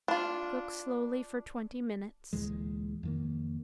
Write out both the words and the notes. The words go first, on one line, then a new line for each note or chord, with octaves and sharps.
Cook slowly for twenty minutes.
D4 F4
D2 A#2 E3 G#3
F2 D#3 A#3